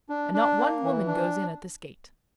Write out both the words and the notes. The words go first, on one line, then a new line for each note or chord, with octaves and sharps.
And not one woman goes in at this gate.
D4
D4
A#3
E3
D4